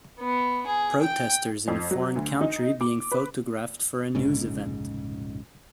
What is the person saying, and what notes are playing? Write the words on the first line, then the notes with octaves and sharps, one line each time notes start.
Protesters in a foreign country being photographed for a news event.
B3
G#4
G5
F2
F#3
D2
D#4
D6
B4
F1 A#1 G#2 C#3